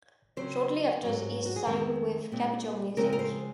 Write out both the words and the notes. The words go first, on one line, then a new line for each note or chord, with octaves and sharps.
Shortly after he signed with Capital Music.
C#3 F#3 C4 C5
G#2 F#3 C4
F#4
G#4
F2 D#3 G#3 C4 A#4
A#2 G#3 C4
C#3 F3 G#3 C4 A#4
A#4
C5